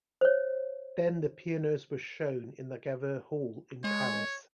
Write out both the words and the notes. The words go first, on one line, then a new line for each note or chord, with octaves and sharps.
Then the pianos were shown in the Gaveau Hall in Paris.
C5 C#5
G#3 C#5